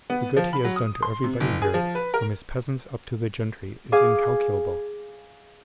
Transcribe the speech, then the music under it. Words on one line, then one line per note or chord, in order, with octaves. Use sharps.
The good he has done to everybody here, from his peasants up to the gentry, is incalculable.
B3
F3
B5
F#3
D#6
C6
C3
F#1
G#4
F3
B4
A#4
G#4 F5 G#5 D6